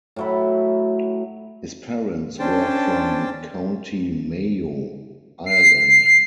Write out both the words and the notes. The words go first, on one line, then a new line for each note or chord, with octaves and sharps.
His parents were from County Mayo, Ireland.
A2 F#3 B5
C#4 D4 C5 G5 A5
C7